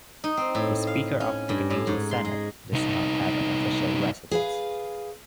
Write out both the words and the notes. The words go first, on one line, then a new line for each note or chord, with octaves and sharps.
The Speaker of the Canadian Senate does not have an official residence.
D#4
C4
A2
F5
C#4
G2
A2
G#2
C6
G#3
C2 D#4
G#4 B4 F5